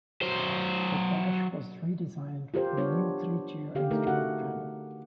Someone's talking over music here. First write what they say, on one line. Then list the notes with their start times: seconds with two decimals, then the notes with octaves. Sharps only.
The dash was redesigned with a new three-tier instrument panel.
0.21 F#3 C5
2.54 F4 G4 A#4 C5
2.77 G3 B3 D4 C#5
3.75 D3 G4 F5
3.91 A3 D#4 A#4
4.07 F#4 F#5